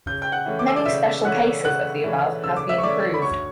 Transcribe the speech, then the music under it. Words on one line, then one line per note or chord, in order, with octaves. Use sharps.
Many special cases of the above have been proved.
C#3 G6
G5 G6
F#5 F#6
E3 A3 C#4
D6
E6
D5 D6
C#3 E5 E6
E3 A3 C#4 F#5 F#6
C#3 F#5 F#6
E3 A3 C#4
C#3 E6
D6
E5 E6
C#6
E3 A3 C#4 D5 D6
B5
D2 C#5 C#6